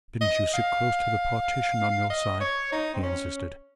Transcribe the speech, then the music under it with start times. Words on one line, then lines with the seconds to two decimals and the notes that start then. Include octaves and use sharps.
"Didn't you sit close to the partition on your side?" he insisted.
0.21 D#5
0.54 F5
2.10 D#5
2.41 C#5
2.72 D#4
2.94 C4
3.03 C#4